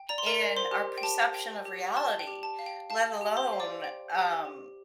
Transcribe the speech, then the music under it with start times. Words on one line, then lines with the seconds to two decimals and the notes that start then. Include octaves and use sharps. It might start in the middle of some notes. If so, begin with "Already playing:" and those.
in our perception of reality, let alone, um,
Already playing: G5
0.09 D5 A#5
0.18 C6
0.26 A#4 A#5
0.41 D5
0.56 C5 C6
0.72 G4
0.98 G5
1.03 G4 A5
1.34 G5
1.65 G4
1.97 D5 A5
2.19 G5
2.27 G4
2.43 A5
2.59 F5
2.66 G5
2.90 F5 A5
3.21 G4
3.37 C5 C6
3.53 F5
3.60 D5 D6
3.84 G5
4.15 G4
4.45 G4